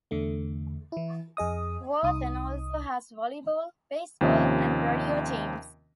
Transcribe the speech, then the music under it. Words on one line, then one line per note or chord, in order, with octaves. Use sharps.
Wharton also has volleyball, baseball, and rodeo teams.
E2 D3 A3
E3 E4
F2 G#4 D#5 D#6
C2 D#4 D#6
D#2 C3 F3 C#4 D#5 E5